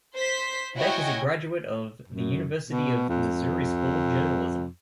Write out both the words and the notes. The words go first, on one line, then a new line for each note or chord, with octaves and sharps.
Beck is a graduate of the University of Missouri School of Journalism.
C5 C6 B6
E4 F#4 C#5 D#5 G5 G#5
F#2
B2
F2